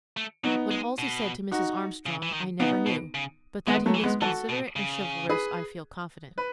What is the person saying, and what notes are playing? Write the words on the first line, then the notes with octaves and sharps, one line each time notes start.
What Halsey said to Mrs. Armstrong I never knew, but that he was considerate and chivalrous I feel confident.
A3
F#3 B3 D#4
G#3
B2
D#4 F#4
C#3
E3
D#3
C#3 B3 D#4
B2
C#3
D#3 G#3 B3
F#3 A3
E3
G#3 B3
E3 F#4 A4
B2
C#3
G#4 B4
B4